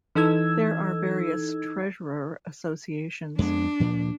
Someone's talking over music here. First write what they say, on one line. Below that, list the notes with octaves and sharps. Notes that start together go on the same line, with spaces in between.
There are various Treasurer associations.
E3 D#4 A4 E6 G#6
F2 G#3 B3 D4
D2 A#2 F3